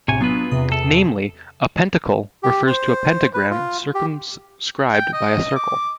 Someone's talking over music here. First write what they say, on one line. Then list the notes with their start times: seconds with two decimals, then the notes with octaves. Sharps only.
Namely, a "pentacle" refers to a "pentagram" circumscribed by a circle.
0.08 A#1 A2 C3 C#5 G#5
0.21 F#3 B3 D4 F4 B4
0.51 E2 C3 D#6
0.72 A4
2.43 G4
2.67 C5
3.34 B4
3.51 F4
3.95 G4
4.94 G5
5.13 D#5
5.56 D6